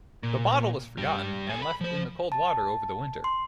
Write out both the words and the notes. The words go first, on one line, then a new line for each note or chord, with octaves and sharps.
The bottle was forgotten and left in the cold water over the Winter.
A#2
G2 G3
A4 G#5
B5
F3 C5
A5
C6